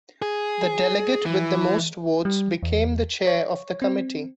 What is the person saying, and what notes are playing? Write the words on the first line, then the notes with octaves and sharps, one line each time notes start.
The delegate with the most votes became the chair of the committee.
G#4
E3
G3
E2
C#5
C4